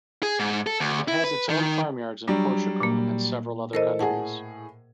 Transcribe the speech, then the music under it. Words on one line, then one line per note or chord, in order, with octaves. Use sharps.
It has its own farmyards in Portugal and several other countries.
G#4
G#2
A4
D2
E4
B4
D#3
F#3 G3 D4
A#2 A#3
E3 A4 A#4 C5 D#5
A2 G#4 F#5 A5